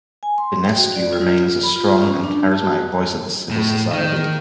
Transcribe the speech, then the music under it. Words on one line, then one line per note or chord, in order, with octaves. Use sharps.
Dinescu remains a strong and charismatic voice of the civil society.
G#5
C6
G5
F#4
D5
F4
B5
F4
C#4
D4
A5
F#4
A2
D#3